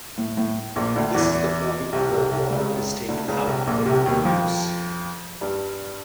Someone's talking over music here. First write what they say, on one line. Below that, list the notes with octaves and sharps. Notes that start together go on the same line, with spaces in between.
This is the point where water is taken out for urban use.
A2
A2
A#1 A#2
D2 D3
E2 E3
C2 C3
C2 C3
C2 C3
C#2 C#3
D2 D3
C#2 C#3
C2 C3
A#1 A#2
C2 C3
D#2 D#3
F2 F3
G2 G3